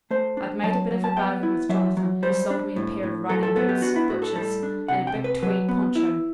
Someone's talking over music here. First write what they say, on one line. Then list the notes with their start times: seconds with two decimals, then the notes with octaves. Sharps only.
I'd made a bit of a bargain with Jonathan, who sold me a pair of riding boots, butcher's, and a big tweed poncho.
0.11 A3 C5
0.37 D4
0.64 F#3 A5
0.91 F#3
1.04 A5
1.17 B3 G5
1.43 E4
1.69 F#3 E5
1.97 F#3
2.23 G3 C5
2.50 D4
2.76 A2
3.03 A2
3.29 F#3 A4
3.43 A4
3.56 B3 A4
3.69 G4
3.82 D4 F#4
3.96 E4
4.09 A2 F#4
4.22 A4
4.36 G3 A4
4.63 D4
4.88 C3 F#5
5.07 G5
5.15 C3
5.24 B4
5.42 F#3 B4
5.69 B3
5.95 E4